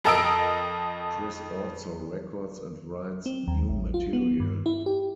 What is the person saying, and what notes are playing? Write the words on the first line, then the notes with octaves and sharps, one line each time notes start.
Chris also records and writes new material.
F2 A4 A#4 D#5 E6 D7
C4
D#2
A1
F4
B3
G2
E4
G4